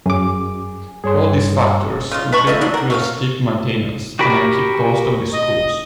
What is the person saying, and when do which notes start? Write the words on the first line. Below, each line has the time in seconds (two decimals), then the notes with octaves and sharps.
All these factors contributed to a steep maintenance and upkeep cost of the schools.
0.06 F#2 G#4 D6
1.04 G2 G#4 C#5 C6
2.11 C#3 F4
2.32 B4 A5 B5 C#6
2.47 F3 A4 D#5 E5
2.61 F#3 D5
2.74 A#4 F#5
2.90 A3 C#5 F5
4.19 F#4 G4 A#4 B5
5.33 D#5